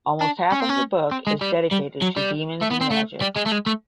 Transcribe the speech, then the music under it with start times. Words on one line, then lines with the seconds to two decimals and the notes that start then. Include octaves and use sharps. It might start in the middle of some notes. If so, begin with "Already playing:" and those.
Almost half of the book is dedicated to demons and magic.
0.21 D4
0.52 C#4
0.60 C4
0.69 C#4
1.11 C4
1.27 G#3
1.41 G3
1.71 G3
2.02 F#3
2.16 G3
2.62 A3
2.71 B3
2.82 C4
2.91 A3
3.22 G3
3.36 G#3
3.46 A3
3.52 G#3
3.66 A3